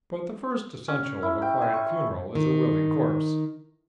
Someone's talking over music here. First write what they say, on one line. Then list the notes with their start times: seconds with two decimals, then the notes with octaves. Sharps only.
But the first essential of a quiet funeral is a willing corpse.
0.88 C#4
1.23 E4
1.42 G5
1.62 G#5
1.74 C#6
1.86 C#6
2.35 D#3